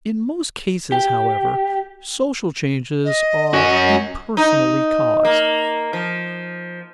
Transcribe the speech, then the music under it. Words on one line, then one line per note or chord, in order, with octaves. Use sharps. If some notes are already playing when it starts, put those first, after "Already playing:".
In most cases, however, social changes are impersonally caused.
G4
D#5
C#4 F#4
D#4
A#3
F3